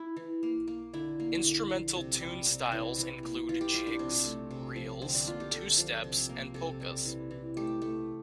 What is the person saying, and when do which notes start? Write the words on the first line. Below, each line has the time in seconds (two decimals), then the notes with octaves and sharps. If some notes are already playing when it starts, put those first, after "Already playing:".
Instrumental tune styles include jigs, reels, two steps, and polkas.
Already playing: E4
0.16 E3
0.43 A#3
0.68 A#3
0.93 D3 E4
1.20 A#3
1.44 D3
1.70 F3
1.96 C3
2.21 G3
2.47 C3
2.72 E3
2.98 E3
3.23 A#3
3.49 E3 F4
3.61 G4
3.74 G3 F4
3.87 D4
3.99 C3 C4
4.24 A3
4.51 C3
4.76 F3
5.02 D3 C4
5.15 D4
5.26 A#3 F4
5.40 G4
5.52 D3 A4
5.78 F3
6.04 C3
6.29 A#3
6.54 C3 A4
6.80 G3
7.05 E3
7.31 E3
7.57 A3 G4
7.82 A3